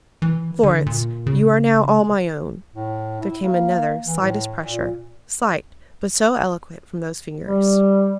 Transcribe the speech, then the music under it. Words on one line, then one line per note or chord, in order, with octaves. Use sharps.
"Florence, you are now all my own." There came another slightest pressure, slight, but so eloquent from those fingers.
E3
D3
A#2
C#3
A2
E4
A#3
E3
A2
A#2
G3